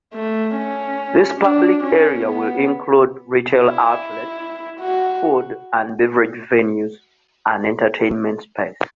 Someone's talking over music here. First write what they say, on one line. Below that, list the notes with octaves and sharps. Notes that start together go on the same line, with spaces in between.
This public area will include retail outlets, food and beverage venues, and entertainment space.
A3
C#4
D4
C#4
B3
E4
F#4